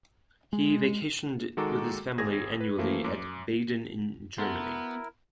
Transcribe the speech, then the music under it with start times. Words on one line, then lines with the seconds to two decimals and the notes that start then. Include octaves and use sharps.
He vacationed with his family annually at Baden in Germany.
0.53 G#3
1.57 D#3 G#3 F#4 A4 A#5 D6
2.18 G#1 G#4 G#6 A#6
2.60 B4
2.78 E3 F3 A3 A#3
3.04 F#2 D6
4.38 B3 E4 F#4 A4 A#4 C6